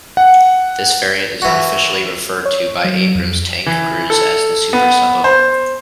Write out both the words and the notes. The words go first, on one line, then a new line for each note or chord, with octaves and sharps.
This variant is unofficially referred to by Abrams tank crews as the "super sabot".
F#5
E3 F#4
C#5
F#3
F2
E3
A4
B3
C5